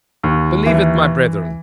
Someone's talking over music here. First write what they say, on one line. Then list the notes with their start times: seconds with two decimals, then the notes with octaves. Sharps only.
Believe it, my brethren!
0.23 D#2
0.66 E3